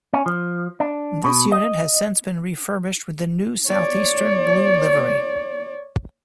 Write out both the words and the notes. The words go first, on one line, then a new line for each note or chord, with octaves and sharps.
This unit has since been refurbished with the new Southeastern blue livery.
C#4
F3
D4
B2
D#5
C#5 D5